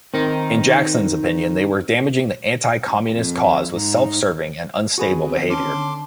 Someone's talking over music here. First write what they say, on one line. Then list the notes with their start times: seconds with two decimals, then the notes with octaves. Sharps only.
In Jackson's opinion they were damaging the anti-Communist cause with self-serving and unstable behavior.
0.14 D#3 C4 D#4 A#4
3.12 F2
3.73 G#2 D#4
4.98 D#3 B3 C4 F#4 G#4 B4
5.50 D3 C#4 A5 C6 D6